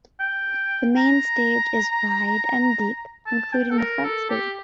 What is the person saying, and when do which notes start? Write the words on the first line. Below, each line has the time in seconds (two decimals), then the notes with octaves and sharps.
The main stage is wide and deep including the front stage.
0.20 G5
0.97 A#5
3.27 A5
3.53 G5
3.71 A4
3.79 A#4
4.05 A4
4.30 G4